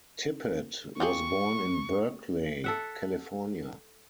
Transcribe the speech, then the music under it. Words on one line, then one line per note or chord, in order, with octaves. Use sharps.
Tippett was born in Berkeley, California.
F4 G4 G#4 C#6
A4 E5 F#5